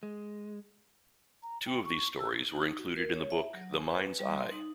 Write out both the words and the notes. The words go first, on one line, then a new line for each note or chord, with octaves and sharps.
Two of these stories were included in the book The Mind's I.
G#3
A#5
G5
C#6
E6
D#4
F#4
A#4
C#5
E5
F#3
G#5
B4
G3
C6
D#4